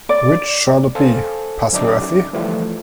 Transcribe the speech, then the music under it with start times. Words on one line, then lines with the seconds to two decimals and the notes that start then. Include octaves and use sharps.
Which shall it be, Passworthy?
0.09 D5
0.95 A4 C5 F5 G#5
1.73 F#2 D3 D4 D#4 E5 D6
2.33 E3 F3 G3 A3